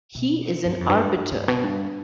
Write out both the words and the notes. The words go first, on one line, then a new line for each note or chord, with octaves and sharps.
He is an arbiter.
B2
G2
F2
G2
G2
G2
B2
G2